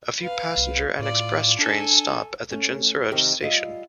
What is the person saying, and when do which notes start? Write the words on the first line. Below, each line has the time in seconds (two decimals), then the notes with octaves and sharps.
A few passenger and express trains stop at the Chinsurah station.
0.20 B4 F5
0.57 C2
0.99 A2 F4 D5
1.59 D4 A4 G#5
2.51 A3 C#4
3.12 C3 D#3 G4 A#4 E5
3.41 G3 F4 D#5 E5